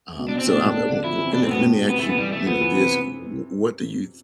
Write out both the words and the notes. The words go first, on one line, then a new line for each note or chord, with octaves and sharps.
Um, so I I want the a le let me ask you, you know, this, w w what do you
B2
D4
B2 C4
A2 D4
B2
A2
B2
D3
F3 E4
E3
C3
B2 D4
C4
A2 B3
A2
B2
C3 B3
A3
E3
B3
E3 G3
A3
F3 B3
E3
C3